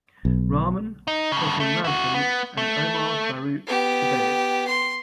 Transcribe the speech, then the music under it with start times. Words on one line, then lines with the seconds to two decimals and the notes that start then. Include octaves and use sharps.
Rahman, Hossam Ramzy and Omar Faruk Tekbilek.
0.25 B1
1.07 D#4
1.32 G2 C#3
1.60 A3
1.84 E4 F#4
2.14 B3
2.57 A3
3.67 B3 G4
4.67 C6